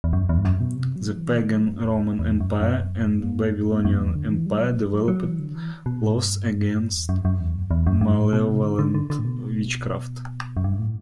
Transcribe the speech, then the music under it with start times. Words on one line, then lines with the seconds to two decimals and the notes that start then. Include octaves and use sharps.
The pagan Roman Empire and Babylonian Empire developed laws against malevolent witchcraft.
0.04 E2
0.13 F#2
0.29 E2
0.38 G2
0.45 F#2
0.60 B2
0.76 C3
0.96 F#3
1.17 E3
1.37 D3
1.53 F#3
1.68 G2
1.84 E2
2.19 E2
2.40 F#2
2.61 F#2
3.85 F#2
4.00 E2
4.16 D3
4.31 E3
4.46 G3
4.61 F#3
4.78 G2
4.93 F#3
5.08 F#3
5.24 E3
5.39 D3
5.55 E3
5.86 B2
6.01 A2
6.17 G2
6.93 E2
7.09 F#2
7.25 F#2
7.40 E2
7.55 F#2
7.71 E2
7.87 F#2
8.01 G2
8.17 A2
8.33 B2
8.48 C3
8.63 D3
8.79 D3
8.94 D3
9.10 D3
9.19 A2
9.25 B2
10.57 F#2
10.64 G2
10.79 A2